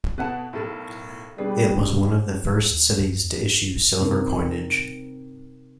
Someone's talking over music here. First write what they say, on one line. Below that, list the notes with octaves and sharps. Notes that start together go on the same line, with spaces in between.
It was one of the first cities to issue silver coinage.
B2 E4 A4 B4 F#5 A5
B1 A2 A3 E4 A4 A#4
B2 G3 D4 G#4 B4
D#2
G2
E2
C3 C4 D#4 A#4